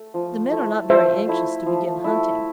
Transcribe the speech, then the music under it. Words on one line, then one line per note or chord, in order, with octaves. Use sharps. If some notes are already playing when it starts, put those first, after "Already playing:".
The men are not very anxious to begin hunting.
Already playing: A3
F3
A3 E4
F3 C5 E5
A3 E4
F3
A3 E4